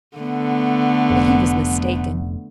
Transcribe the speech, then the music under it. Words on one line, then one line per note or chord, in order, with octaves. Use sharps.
But he was mistaken.
D3 A3 B3
F1